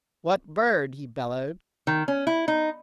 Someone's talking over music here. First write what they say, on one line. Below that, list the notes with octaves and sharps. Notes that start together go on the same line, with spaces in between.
"What bird?" he bellowed.
D#3
C#4
E4
D#4